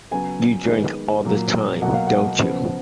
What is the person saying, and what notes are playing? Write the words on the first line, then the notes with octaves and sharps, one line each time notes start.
You drink all the time, don't you?
C#3 F#3 B3 G#5
D#3 G#3 B3
A#2 F#3 A#3
B2 F#3 A#3 F#5
F5
F#5
C#3 F3 B3